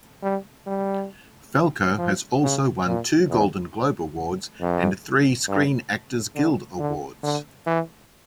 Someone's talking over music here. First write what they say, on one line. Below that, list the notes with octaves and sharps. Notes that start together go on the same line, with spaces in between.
Falco has also won two Golden Globe Awards and three Screen Actors Guild Awards.
G3
G3
F3
C#3
A#2
E2
F2
G2
D3
D3
D3
E3